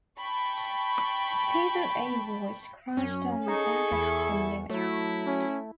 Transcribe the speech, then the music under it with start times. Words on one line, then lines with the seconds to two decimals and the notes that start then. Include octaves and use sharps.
Steven E. White, crashed on the deck of the "Nimitz".
0.19 G5 A5 B5 C#6
2.97 F#2 C#4
3.47 D#4 G#4 A4 C#6
3.92 E2 E4
4.70 F#3 A3 E4
5.26 C#4